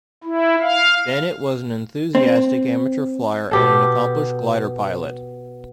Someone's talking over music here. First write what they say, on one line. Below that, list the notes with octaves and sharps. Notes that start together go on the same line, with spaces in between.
Bennett was an enthusiastic amateur flier and an accomplished glider pilot.
E4
F5
C4
B2 G4 A4